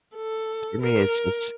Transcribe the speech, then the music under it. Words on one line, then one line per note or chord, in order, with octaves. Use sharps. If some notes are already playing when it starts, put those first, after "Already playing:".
For me, it's it's
A4
A#4